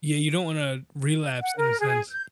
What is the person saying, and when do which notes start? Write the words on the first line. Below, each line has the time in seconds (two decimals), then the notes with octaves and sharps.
Yeah, you don't wanna relapse, in a sense.
1.42 F#5
1.57 A#4
1.79 G#4
2.10 G6